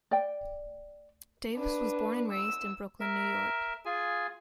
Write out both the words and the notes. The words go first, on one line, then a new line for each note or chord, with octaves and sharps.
Davis was born and raised in Brooklyn, New York.
D5 G5
D4 B4
E6
A#4 E5
F4 G#4 G#5